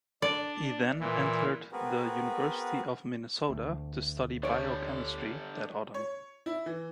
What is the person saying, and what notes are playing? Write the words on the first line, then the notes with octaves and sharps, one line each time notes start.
He then entered the University of Minnesota to study biochemistry that autumn.
D4 D5
A#2 E3
B3 C4 F#4 G#4 A#4 B4
D2
D3 G3 C#5 D5
C#5
E4
E3